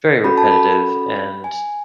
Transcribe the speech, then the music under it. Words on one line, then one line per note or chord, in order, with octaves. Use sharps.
very repetitive and,
C#4 F#4 A4 B5
A5
B5
G#5